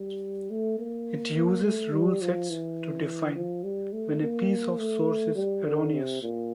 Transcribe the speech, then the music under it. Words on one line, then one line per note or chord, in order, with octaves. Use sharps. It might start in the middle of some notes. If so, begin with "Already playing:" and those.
It uses rule-sets to define when a piece of source is erroneous.
Already playing: G3
A3
A#3
A#3
A3
G3
F3
E3
F3
G3
A3
A#3
A3
G3
D3
C3
A#2